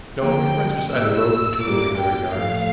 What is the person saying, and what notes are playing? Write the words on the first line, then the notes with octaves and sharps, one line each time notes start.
"No, it runs beside the road for two or three hundred yards."
D3 F3 A#3 G5
A2 G3 A#3 E6
A2 G3 A#3 D6
G5
A2 F3 A3 F5